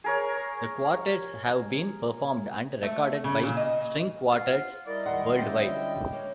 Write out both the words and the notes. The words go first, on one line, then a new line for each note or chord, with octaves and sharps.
The quartets have been performed and recorded by string quartets worldwide.
G#4 A#4 C#5
A3
C#3
A#2
D#5
F4 F#5
G3 E4 A#4 D5 D#5
D#2 A#4 F#5 C6
D3 C#4 F4 E5 G5
A#3 C#5